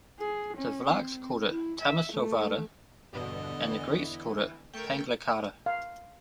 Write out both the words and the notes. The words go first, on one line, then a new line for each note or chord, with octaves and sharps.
The Vlachs called it Tomisovara and the Greeks called it Panglicara.
G#4
C#4
C4
E4
E5
A3
E2 G2 B2 D3 D#5
E3
A3 A#4 G5 C#6 G6
F5